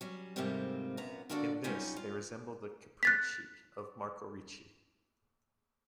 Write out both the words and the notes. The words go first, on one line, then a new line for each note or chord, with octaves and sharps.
In this they resemble the "capricci" of Marco Ricci.
F#3 G3 C#4
G#2 C3 G3 A3 A#3 C4
F#2 A#2 B3 A#5
D3 A#3 D4 F#4 A4 D5
F#3 G3 C#4 D#4 F4
F4
F#6 A6 B6